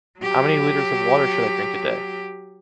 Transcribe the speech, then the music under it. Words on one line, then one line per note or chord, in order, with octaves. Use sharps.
How many liters of water should I drink a day?
F#3 G4